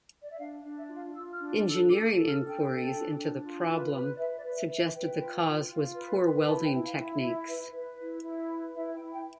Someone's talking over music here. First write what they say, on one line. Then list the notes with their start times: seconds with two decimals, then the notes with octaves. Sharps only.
Engineering inquiries into the problem suggested the cause was poor welding techniques.
0.22 D5
0.30 E5
0.38 D4 F5
0.63 D4
0.76 E5
0.88 F4
0.95 F5
1.14 F4 E6
1.33 F6
1.39 D4
1.65 A4
1.71 E6
1.90 A4 D6
2.15 A4
2.28 F6
2.40 D4
2.47 G5
2.66 A4
2.92 D4
3.16 D4
3.42 F4
3.67 B4
3.92 B4
4.14 D5
4.18 B4 E5
4.37 D5
4.43 B4
4.56 E5
4.69 B4
4.75 E5
4.94 B4 G5
5.19 F4
5.44 F4
5.70 F4
5.95 B4
6.21 B4
6.46 E4 A5
6.65 G5
6.71 E4
6.84 F5
6.96 E4
7.03 E5
7.22 E4
7.47 B4
7.73 B4
7.98 E4
8.23 E4
8.49 B4
8.74 E4 E5
8.93 G5
8.99 E4
9.12 G5